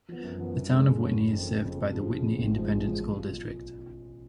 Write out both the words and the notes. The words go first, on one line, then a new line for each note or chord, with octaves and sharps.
The Town of Whitney is served by the Whitney Independent School District.
F3 B3
F#2
F3 B3
F#2
D3 G#3 C#4
F#2
D3 G#3 C#4
F#1
F2 C#3
F#1
F2 C#3
F1
F2 C#3 F3
F1
F2 C#3 F3
A1
G#2 F3 G#3
A1
G#2 F3 G#3
B1
F4